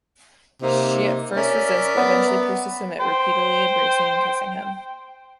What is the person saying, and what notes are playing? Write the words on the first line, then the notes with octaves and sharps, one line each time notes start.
She at first resists but eventually appears to submit, repeatedly embracing and kissing him.
C3 A#3 D#4
C#4 A#4 D5 E5
B3
C5 G5